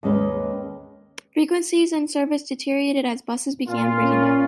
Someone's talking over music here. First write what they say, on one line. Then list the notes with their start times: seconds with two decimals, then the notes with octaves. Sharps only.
Frequencies and service deteriorated as buses began breaking down.
0.03 D#2 G#3 C#4 B4
3.67 A#2 F4
4.02 C#4